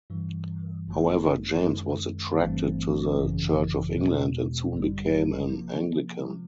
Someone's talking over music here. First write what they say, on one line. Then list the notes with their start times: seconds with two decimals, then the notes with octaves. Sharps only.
However James was attracted to the Church of England and soon became an Anglican.
0.10 G2 E3 G3
0.87 G1 F#2 D3 F#3 A3
1.65 F#2 D#3 G#3
2.41 G1 G2 E3 A3 C4
3.18 G#1 F#2 C#3 E3
3.95 E2 B2 G#3
4.73 G1 F#2 D3 G3
5.50 C3 F3 A#3
6.28 C3 F3 G#3